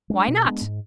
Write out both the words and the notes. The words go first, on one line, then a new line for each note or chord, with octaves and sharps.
"Why not?"
G#3 B3 D4
B2
G#3 B3 D4
G#2